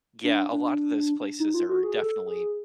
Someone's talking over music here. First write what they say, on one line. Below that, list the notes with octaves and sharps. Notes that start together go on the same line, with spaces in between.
yeah, a lot of those places are definitely,
D4
D4
D#4
F4
F#4
G#4
A4
G#4